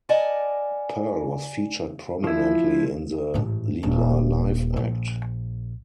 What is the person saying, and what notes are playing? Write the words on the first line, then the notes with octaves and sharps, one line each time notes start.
Pearl was featured prominently in the Leila live act.
A#4 D5 D#5 F#5 G#5 A5
F3 E4
A1 G#2
D#1
A#1